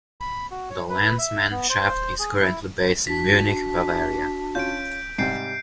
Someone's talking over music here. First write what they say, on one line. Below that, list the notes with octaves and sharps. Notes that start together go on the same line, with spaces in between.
The Landsmannschaft is currently based in Munich, Bavaria.
B5
F#4
C#5
B4
E5
B3
C5
G#4
E4
D4 F#4 B6
C#4 F4 G6 D7
G#2 C3 G3 G6 C7 D7